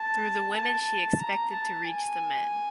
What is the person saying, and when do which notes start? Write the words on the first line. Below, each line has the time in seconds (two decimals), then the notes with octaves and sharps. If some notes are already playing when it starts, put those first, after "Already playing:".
Through the women she expected to reach the men.
Already playing: A5
0.54 A5
1.19 A#5
1.52 A5
1.85 G#5